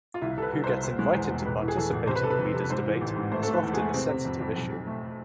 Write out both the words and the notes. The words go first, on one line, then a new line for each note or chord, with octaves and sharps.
Who gets invited to participate in a leaders' debate is often a sensitive issue.
F4
C2 E4
C3 A4
B4
C2
C2 C5
E1 C5
G#3
E2 C5
E1
A1 B4
A2
G#4
E3 A4
A1
C3 C5
B4
C3 A4
B4
F2
C3
B4
G#2 C5
E3
A1
G#2
A3 C5
A3 A4
B4
E2
G#4
A3
C3 C4
C3
F2
F2
B1
B1
A3